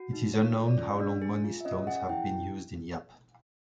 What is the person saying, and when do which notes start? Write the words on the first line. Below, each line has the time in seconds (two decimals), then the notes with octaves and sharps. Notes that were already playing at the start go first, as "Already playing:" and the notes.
It is unknown how long money stones have been used in Yap.
Already playing: F#4
0.13 D#4
0.34 A4 C#5
0.56 F4
0.67 D5
0.78 C#4
1.00 D4
1.22 G#4
1.44 F4
1.61 E5
1.65 C#4 D#5
1.87 G#4 F#5
2.09 E4 G5